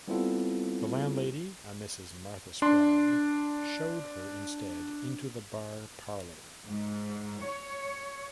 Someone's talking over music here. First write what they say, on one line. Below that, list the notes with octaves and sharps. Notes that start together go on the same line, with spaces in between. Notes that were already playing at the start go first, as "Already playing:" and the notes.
The landlady, a Mrs Martha Sprague, showed her instead into the bar parlour.
G3 B3 C4 E4 F4 A4
D4 C6
G#2
C#5